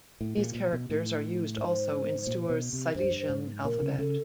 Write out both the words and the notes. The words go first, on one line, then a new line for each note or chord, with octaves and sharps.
These characters are used also in Steuer's Silesian alphabet.
A2
A#2
A#2
B2
A2
G#2 C5
A#2
B2
C3
G2 C5
F#2
G2
C5
G#2
A#2 A#4
C#3
C#3 A4